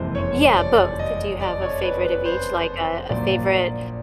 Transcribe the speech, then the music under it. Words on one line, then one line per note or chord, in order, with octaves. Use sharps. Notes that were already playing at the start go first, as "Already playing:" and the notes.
Yeah, both, do you have a favorite of each? Like, a a favorite,
Already playing: F#1 F2 C3 E3 G#3 C5
C#5
D5
D#5
D5
C#5
B4
B4
C5
A#1 A#2 F#3 D5